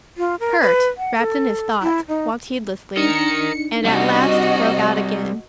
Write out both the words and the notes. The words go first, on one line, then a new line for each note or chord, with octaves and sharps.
Kurt, wrapped in his thoughts, walked heedlessly, and at last broke out again.
F4
A#4
B4
F#5
A4
E4
D#4
D4 D#4 A#4 D#5 C#7
C3 G3 F#4 D#5